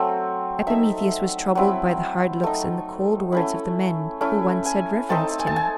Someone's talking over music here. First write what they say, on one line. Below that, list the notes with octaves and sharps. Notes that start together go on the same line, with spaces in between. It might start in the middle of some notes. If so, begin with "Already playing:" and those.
Epimetheus was troubled by the hard looks and the cold words of the men who once had reverenced him.
Already playing: F#3 A3 C4
A3 D#4 E5
F#3 C4 E4
A3 D#4
A3 C#4 E4
A3 C#4 E4
G#5
A3 C4 D#4 A5
G#5
A5
G#5